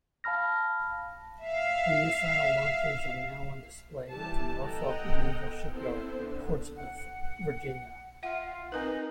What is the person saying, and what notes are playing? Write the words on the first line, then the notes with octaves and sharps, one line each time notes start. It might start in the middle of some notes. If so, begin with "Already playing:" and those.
Her missile launchers are now on display at the Norfolk Naval Shipyard, Portsmouth, Virginia.
F5 A5 B5 F6 A#6
E5 F5
E3 G3 G4 A5
B3 A4 D#5 F#5 G5 A#5
B3 C4 E4 A4 C5
D3 B3
F#5
F4 E5 F#5
C4 D#4 A#4 B4